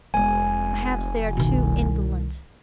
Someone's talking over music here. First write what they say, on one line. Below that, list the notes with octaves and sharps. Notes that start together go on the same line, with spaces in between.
Perhaps they are too indolent.
F1 G#3 B3 G#5
C2 B2 D#3